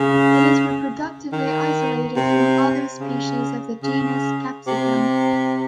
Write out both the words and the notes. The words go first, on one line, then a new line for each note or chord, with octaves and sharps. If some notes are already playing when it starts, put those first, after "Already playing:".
It is reproductively isolated from other species of the genus "Capsicum".
Already playing: C#3
D#3
C3
C#3
C#3
C3